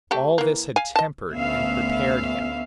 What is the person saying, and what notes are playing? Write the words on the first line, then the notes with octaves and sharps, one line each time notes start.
All this had tempered and prepared him.
A3 G4 A4
E3 A#3
F5 G#5
D#5 A5
D2 B3 C#4 E5 F5